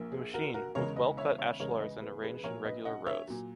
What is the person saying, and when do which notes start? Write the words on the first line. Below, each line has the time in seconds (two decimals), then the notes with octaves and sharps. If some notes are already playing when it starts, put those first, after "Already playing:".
The machine, with well-cut ashlars and arranged in regular rows.
Already playing: A#1 A#2 A#3
0.12 G#4
0.34 F#4 A#4
0.54 F#4 A#4
0.75 E2 C#3 G#3 A#4 C#5
0.96 B4 D#5
1.17 C#5 E5
1.38 C#5 E5
1.60 E2 C#3 G#3 A#4 C#5
1.80 B4 D#5
2.01 G#4 B4
2.22 G#4 B4
2.34 B4
2.43 A#1 A#2 F#3 A#4 C#5
2.65 B4 D#5
2.85 D#5 F#5
3.06 C#5 E5
3.28 A#2 F#3